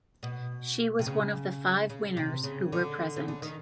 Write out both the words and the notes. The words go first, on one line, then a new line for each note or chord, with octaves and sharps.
She was one of the five winners who were present.
B2
C3
C#3
C#3
C3
C#3
D3
C#3
D3
D#3